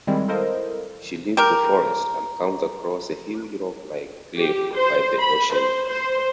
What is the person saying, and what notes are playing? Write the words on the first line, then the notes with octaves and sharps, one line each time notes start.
She leaves the forest and comes across a huge rock-like cliff by the ocean.
D#3 G3 G#3 C4 E4
E4 A4 A#4 C5 D#5 F5
G4 A#4
G4
C5
B5
C5
C5